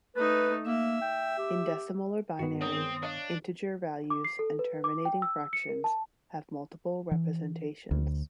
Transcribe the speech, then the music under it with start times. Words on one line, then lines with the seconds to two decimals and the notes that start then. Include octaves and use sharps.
In decimal or binary, integer values and terminating fractions have multiple representations.
0.16 A3 D#4 B4
0.66 A#3 E5
1.01 G5
1.38 G4
2.39 G2 D#3 B3 F#4
2.61 G#3 C4 A#4 C#5 D#6
3.03 D4 C#5 D#5 F5
4.10 D6
4.25 C7
4.39 A4
4.59 B4
4.84 D6
5.05 G5
5.22 E6
5.53 C#7
5.69 A#4
5.84 A5
7.11 E3
7.91 D2